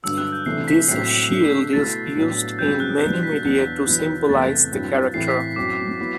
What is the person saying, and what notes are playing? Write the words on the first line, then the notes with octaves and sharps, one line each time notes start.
This shield is used in many media to symbolize the character.
G2 D3 F#3 E6
F#6
G6
C3 E3 A3 D4 C7
B6
A2 F#3 C4 C7
D3 A3 D4
B2 A3 E4 A6
A2 F#3 B3 D4
G2 F#3 C4 G6
F#6
B2 G3 D4 G6
B6
E2 B2 F#3 B3 D4
E2 B2 F#3 B3 E4
E2 C3 E3 A3 A6
G2 F#3 C4 E4
A2 E3 A3 C4 E4 C7
B6
F#2 F#3 C4 E4 D6
F#3 B3 E4